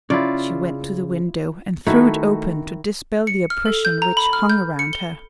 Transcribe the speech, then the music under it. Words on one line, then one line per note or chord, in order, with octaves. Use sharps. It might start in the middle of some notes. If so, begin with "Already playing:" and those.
She went to the window, and threw it open, to dispel the oppression which hung around her.
C#3 E4 F4 D5
D#3 A3 E4 F#4
C#7
F6
A4
G6
A#5
B5
F6
G6
C#7
G7